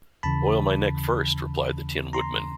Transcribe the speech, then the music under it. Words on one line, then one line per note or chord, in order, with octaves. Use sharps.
"Oil my neck, first," replied the Tin Woodman.
D#2 C#3 E3 A5 B5
A#5 C6